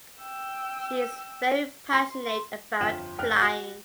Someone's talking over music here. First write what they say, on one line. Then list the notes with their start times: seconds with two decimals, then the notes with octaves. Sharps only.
She is very passionate about flying.
0.22 G5 E6
1.93 C6
2.80 G1 F2 F4 G5 E7 F#7
3.18 F1 G5 F6 F#6
3.41 F#4